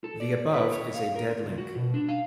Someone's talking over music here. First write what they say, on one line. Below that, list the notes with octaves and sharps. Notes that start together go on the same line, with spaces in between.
The above is a dead link.
A4
D5
B4
C#5
F5
A#4
C#2
F#4
B2
D4
F5